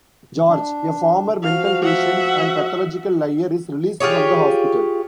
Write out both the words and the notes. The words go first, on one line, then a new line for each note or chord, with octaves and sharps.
George, a former mental patient and pathological liar, is released from the hospital.
D4
F3 F#4 F5
E5 F#5
F4 G4 G#4 C#5